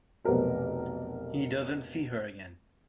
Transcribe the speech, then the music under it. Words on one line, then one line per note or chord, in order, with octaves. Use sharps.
He doesn't see her again.
F1 B1 B3 G4 A#4 C5